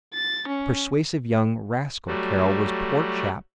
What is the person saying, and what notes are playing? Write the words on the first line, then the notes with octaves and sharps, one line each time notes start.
Persuasive young rascal, Carroll Was--poor chap ...
A6
C#4
F#3 G3 A3 F#4